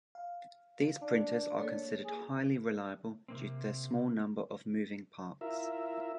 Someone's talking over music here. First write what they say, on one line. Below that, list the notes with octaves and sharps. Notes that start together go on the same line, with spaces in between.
These printers are considered highly reliable due to their small number of moving parts.
F5
D4
A#3 A4 C#5
G#4
C3 A#3 C4
E4 F4 A#4 E5